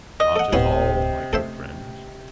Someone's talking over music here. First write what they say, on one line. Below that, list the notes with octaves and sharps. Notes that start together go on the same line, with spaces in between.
"Not at all, my good friend."
D#5
A4 F#5
D1 A2 C3 B3 C#4 E4
A3 C#4 A4 C5 E5